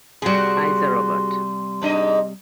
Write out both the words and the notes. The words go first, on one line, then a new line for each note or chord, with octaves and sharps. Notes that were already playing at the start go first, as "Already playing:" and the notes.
Eyes are ovate.
C3 G3 F#4 G#4 C6
G#2 D4 D#5